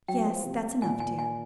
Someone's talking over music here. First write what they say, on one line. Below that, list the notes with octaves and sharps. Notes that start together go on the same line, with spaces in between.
"Yes, that's enough, dear."
F#3 G5
F3
C3
A#2 G#5
G#5
G#5